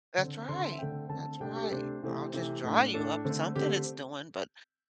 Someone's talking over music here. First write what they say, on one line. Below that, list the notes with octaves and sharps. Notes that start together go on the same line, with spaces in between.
That's right. That's right. Or, "I'll just dry you up." Something it's doing, but
D3 C4
D3 C4 C6
E5
D3 A3 C4 G5
D3 A3 C4 A5
C3 A3 D4 G5
G4
A4
C3 A3 D4 C5
C3 E3 A3 C4
C3 E3 A3 C4
A2 A3 D4
A2 A3 D4 A4
D3 A3 C4
D3 A3 C4 G4